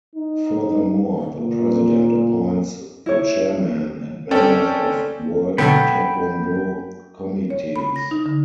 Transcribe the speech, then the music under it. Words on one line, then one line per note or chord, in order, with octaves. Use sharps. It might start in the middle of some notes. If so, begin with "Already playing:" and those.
Furthermore, the President appoints the chairmen and members of World Taekwondo Committees.
D#4
A#2
E4 C#5
C4 C#4 A4 D5 G5
B2 D3 F#3 B3 A4 C#5 G5 B5
C#5
B5
A#6
D#4
D3